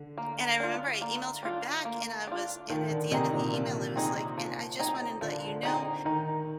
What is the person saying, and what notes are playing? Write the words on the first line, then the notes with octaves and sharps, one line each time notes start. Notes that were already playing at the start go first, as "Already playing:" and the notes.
And I remember I emailed her back, and I was and at the end of the email, it was like, "And I just wanted to let you know
Already playing: D3
A#3
D4 F4
A#3
D4 F4
A#3
D4 F4
D#3 F3
D3
C3 C4 D#4 G#4 D#5
A#2
F3
C4 D#4 G#4 D#5
F3
C4 D#4 G#4 D#5
D3 F3
C4 D#4 G#4 D#5
D#3 D#4